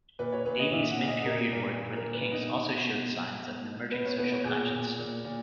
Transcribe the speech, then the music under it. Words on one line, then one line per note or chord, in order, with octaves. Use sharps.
Davies' mid-period work for the Kinks also showed signs of an emerging social conscience.
A#2 B4
C#5
A#2 B4
D#5
A#2 E5
F#5
A#2
D#5
A#2 A#4
A#2 A#4
A#2
A#4
A#2
B4
B2 D#4
B2
B2
B2
B2
B2
B2 B4
C#5
B2 B4
C#5
A#2 G#4
A#2
A#2
A#2